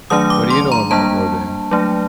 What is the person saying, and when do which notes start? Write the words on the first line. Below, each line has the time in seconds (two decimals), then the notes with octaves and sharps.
"What do you know about Rodin?"
0.10 D#3 F#3 A3 D4 D#6
0.30 D6
0.50 C6
0.72 A#5
0.91 G3 A#3 D4 A5
1.71 F#3 A3 D4